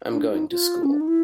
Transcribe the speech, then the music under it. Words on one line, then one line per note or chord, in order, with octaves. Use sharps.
I'm going to school.
D4
D#4
F4
C#4
D4
D#4
E4